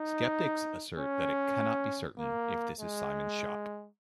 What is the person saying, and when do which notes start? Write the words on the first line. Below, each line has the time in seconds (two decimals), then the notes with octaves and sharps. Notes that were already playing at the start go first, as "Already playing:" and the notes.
Skeptics assert that it cannot be certain if this is Simon's shop.
Already playing: D#4
0.98 C#4
2.18 A#3
2.80 G#3